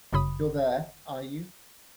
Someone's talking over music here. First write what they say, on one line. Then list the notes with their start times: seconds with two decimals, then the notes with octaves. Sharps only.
You're there, are you?
0.13 G1 F#2 C#3 B5 D#6